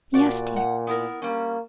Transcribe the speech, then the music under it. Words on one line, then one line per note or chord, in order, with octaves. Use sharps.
"Yes, dear."
A#2 F#4 D5
F#5
B3 E4 A#4
G3 A#3 C#4